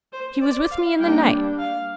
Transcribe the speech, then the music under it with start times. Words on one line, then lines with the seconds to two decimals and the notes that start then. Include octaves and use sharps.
She was with me in the night.
0.13 C5
0.42 D5
0.71 F5
1.00 G3 A#3 D4 G5
1.59 F5